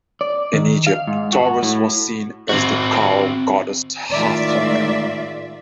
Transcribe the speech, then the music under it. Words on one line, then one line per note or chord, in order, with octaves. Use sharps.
In Egypt, Taurus was seen as the cow goddess Hathor.
D5
D#3
F5
G#2
F#4
A2
C4 F#4
A2 D#3 G#3 F4 D5 E5